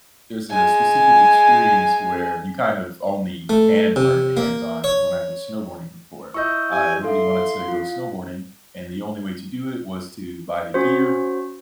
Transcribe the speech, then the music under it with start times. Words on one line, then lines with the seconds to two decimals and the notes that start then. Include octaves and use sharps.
there's a specific experience where you kind of only can learn it hands-on, is when I went snowboarding before. Uh, I really wanted to go snowboarding, and the only way to do it was to buy the gear,
0.50 G#3 G#5
3.49 A3
3.96 C3
4.37 A#3
4.84 C#5
6.34 E4 D#5 C#6 E6 G6
6.71 G4 G#5
7.04 A4 E5 F5 C6
7.68 F4
10.74 C#4 F#4 C5